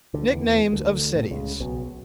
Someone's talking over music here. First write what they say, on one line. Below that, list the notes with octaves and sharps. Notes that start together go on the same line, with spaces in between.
Nicknames of Cities.
D2 D3
E2 E3
D2 D3
A2
B2
C#2 C#3
B1 B2